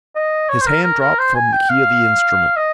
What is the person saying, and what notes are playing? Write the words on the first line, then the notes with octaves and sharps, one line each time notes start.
His hand dropped from the key of the instrument.
D#5
C#5
C5
A#4
A#4
A#4
C5
G#5
G5
F5
D#5